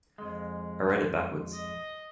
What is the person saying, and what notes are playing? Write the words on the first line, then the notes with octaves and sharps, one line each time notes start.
I read it backwards.
F2 G#3
D#5